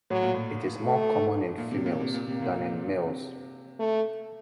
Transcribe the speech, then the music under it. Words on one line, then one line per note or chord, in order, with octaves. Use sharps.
It is more common in females than in males.
A2 F#3
A#2
A2
A3
A#2
C3
A#2
C3
A#2
C3 A#3
A#2
C3
A3